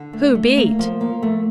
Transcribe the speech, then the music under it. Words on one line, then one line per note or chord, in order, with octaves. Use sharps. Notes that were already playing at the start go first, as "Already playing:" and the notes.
"Who beat?"
Already playing: D3
A3
A3
A#3
F3
A#3
A3